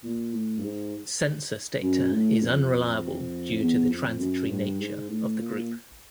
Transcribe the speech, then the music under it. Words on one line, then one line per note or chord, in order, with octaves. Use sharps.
Census data is unreliable due to the transitory nature of the group.
A#2
A2
G2
G#2
F#2
A2
F2
E2
F2
F#2
G2
G#2
A2
A#2